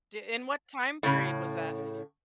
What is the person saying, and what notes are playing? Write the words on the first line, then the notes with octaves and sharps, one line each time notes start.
T in what time period was that?
A2 C#3